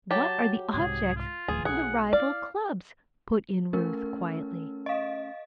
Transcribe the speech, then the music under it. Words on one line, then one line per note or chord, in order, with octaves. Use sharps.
"What are the objects of the rival clubs?" put in Ruth, quietly.
F#3 G4 A5
C2 G#2 G#4
F4
D1 E3 G#4
B1 G#4 F#5
E4 D5 F5
A3 C#4 A#4
D#5 F5